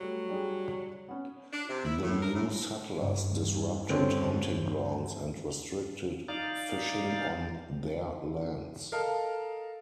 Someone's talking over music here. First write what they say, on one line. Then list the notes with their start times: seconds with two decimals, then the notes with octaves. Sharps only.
The new settlers disrupted hunting grounds and restricted fishing on "their" lands.
0.01 F#3 G3 A3
0.29 G3 D4 G#4
1.08 B3 C#4
1.53 D4
1.69 C3
1.85 E4
2.02 A2
2.22 A#4
2.35 A2
2.95 G2
3.89 D3 C4 C#4
6.28 D#4 D5 F5
8.92 A4 A#4 D#5 F5